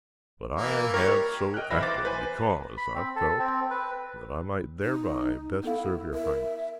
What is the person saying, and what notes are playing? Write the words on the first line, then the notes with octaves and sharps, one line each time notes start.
But I have so acted because I felt that I might thereby best serve your highness.
E3 A#3
G3 G4 A#4 C#5
D#5 G5 F6 F#6
B1 E3 B4 E5 B5 A#6
C5 D6 A6
B4 C5 G#5
B5
C4
A4
C4
B4
D#4
B3 E4 A4 F5
A#4 E5